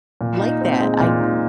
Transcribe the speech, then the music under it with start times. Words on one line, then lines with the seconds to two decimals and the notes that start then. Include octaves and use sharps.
like that. I
0.21 A#2
0.41 D#4
0.61 C4
0.80 G#3
1.00 A#2
1.20 D#4